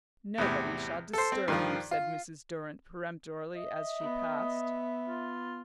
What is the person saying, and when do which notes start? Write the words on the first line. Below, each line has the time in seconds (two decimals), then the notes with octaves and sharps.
"Nobody shall disturb you," said Mrs. Durrant peremptorily as she passed.
0.38 E2 A2 C3
1.13 A4 C5
1.32 C4
1.48 G2 D#3 F3
1.91 F4
3.55 D#5 E5
4.00 B3
5.08 F4